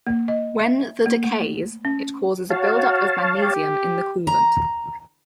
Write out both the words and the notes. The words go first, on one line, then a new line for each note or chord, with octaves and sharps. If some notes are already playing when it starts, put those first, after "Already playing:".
When the decays, it causes a buildup of magnesium in the coolant.
A#3
D#5
E5
A#3
A3
C#4
F#4 C#5 F5 A5
G4
A#5